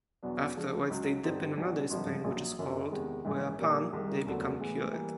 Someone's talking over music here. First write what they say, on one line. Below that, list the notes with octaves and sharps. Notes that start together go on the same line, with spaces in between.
Afterwards they dip in another spring which is cold, whereupon...they become cured.
E2 B2 F#3 B3 D4
D3 F3 G#3
C#2 C#3 F#3
G2 D3 G3 C4 D#4
B1 B2 G3 B3 D4
G#1 G2 D3 F3
A#1 A#2 F#3
F#1 F#2 D3
E2 C3 D#3 G#3
A#1 G#2 E3
A#2 G3 A#3
C2 C3 D#3 G#3
E1 D2 D3 F#3 B3
A2 E3 G#3 B3
E3 G3 A#3